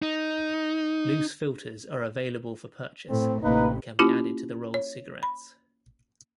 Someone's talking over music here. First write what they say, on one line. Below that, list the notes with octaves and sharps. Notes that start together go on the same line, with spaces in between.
Loose filters are available for purchase and can be added to the rolled cigarettes.
D#4
A2 A3 C4
A1 C3 A#3 D#4 B4
A#3 C#4 E4 F4 G4
C#5
B5